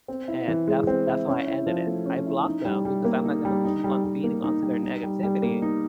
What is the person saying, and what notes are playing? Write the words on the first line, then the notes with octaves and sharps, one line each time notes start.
and that's that's how I ended it. I blocked them because I'm not gonna keep on feeding onto their negativity.
C4
E4
E3
G#3
C4
E4
C#4
E4
F3
A3
C#4
E4
D#4
G3
G3
A#3
D#4
G3
D#4
G3
G3
A#3
D#4
G3
D#4
G3
G3
A#3
D#4